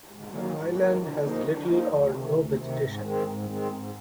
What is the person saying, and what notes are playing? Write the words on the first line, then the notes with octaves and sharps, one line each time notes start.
The island has little or no vegetation.
G#2
D#3 F#3 A#3
G#2
D#3 F#3 A#3
D3
F3 A#3 D#4
D3
F3 A#3 D#4
D2
C3 D#3
D2
C3 D#3
G#2
D#3 G#3 C4
G#2
D#3 G#3 C4
G#2